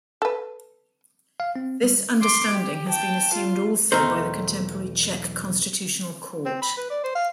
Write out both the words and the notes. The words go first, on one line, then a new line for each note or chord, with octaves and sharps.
This understanding has been assumed also by the contemporary Czech Constitutional court.
A4 B4
F5
C4
G3
C6 D6
G4
G5 A5
F4
B1 E2 A3 D#4 A#4 C5
C4
B5
B4
D5
C5
F5